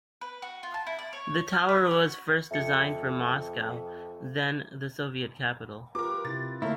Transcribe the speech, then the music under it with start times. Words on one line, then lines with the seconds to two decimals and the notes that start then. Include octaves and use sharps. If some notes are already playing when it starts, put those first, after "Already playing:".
The tower was first designed for Moscow, then the Soviet capital.
0.21 B4
0.42 F#4
0.63 F4
0.74 A5
0.87 E4
0.99 D5
1.13 C#5
1.53 F6
1.69 B4
1.91 F#4
2.51 F2 E5 C#7
5.95 F4 G4 A#4 B4 D6
6.25 C3 E4 A6
6.62 D3 A3 A#3 E4 C#5 F5